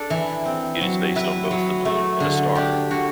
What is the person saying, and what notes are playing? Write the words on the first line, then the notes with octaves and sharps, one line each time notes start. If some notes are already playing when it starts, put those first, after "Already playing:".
It is based on both the moon and a star.
Already playing: D4 A4 D5
E3
C4
F#3
E4 B4
F#3
A3
D3
D4 G4
D3 F#4